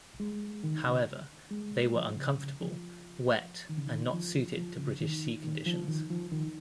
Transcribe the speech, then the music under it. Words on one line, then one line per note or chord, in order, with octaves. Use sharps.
However, they were uncomfortable, wet and not suited to British sea conditions.
G#3
D#3
C#3
G#3
F3
C#3
C#3
F3
D#3
C#3
D#3
F3
F3
C#3
D#3
D#3
F3
D#3
F3
D#3